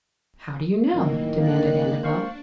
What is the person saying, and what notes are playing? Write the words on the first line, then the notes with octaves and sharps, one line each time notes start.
"How do you know?" demanded Annabel.
A1 F#2 A2 D#3 E3 A#3
G#3 A#3 D5 F#6
D4 C5 F5 C#6